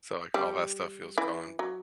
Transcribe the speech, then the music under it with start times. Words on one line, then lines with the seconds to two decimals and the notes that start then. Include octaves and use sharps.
So, like, all that stuff feels gone.
0.34 G3
1.18 E3
1.59 F#3